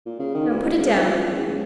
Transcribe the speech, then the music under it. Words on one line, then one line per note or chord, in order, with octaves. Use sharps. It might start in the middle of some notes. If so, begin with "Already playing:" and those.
Now put it down.
A#2
C#3
D#3
D2
A1
C#2
F1
F3
F#2
E2
C#2